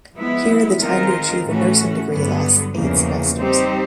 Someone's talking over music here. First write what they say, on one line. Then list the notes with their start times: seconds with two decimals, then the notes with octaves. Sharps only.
Here the time to achieve a nursing degree lasts eight semesters.
0.14 F3 G#3 B3 E4
0.79 D#3 G#3 C4 F4 A#4
1.44 A2 E3 A3 C#4 F#4
2.09 G2 D3 F#3 B3
2.74 E2 C#3 F3 A#3
3.38 G3 C4 D#4 G4 C5